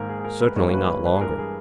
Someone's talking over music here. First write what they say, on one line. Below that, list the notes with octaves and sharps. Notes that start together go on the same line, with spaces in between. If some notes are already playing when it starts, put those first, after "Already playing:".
"Certainly not longer."
Already playing: G#2 D#3 A#3 A#4
G#4
G#4
A#4
B4
G2 E3 G3 A#3 C#5
B4
B4
B4
G#4
G2 E3 G#3 A#4
G#4